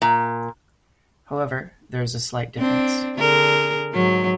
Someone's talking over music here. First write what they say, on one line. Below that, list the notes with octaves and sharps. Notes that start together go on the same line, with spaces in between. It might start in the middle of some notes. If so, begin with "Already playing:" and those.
However, there is a slight difference.
A#2
C4 D4
D3 G#4 A#4
G#2 F#3